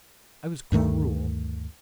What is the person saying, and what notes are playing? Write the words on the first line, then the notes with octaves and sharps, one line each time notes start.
I was cruel!
D2 G2 D#3 A3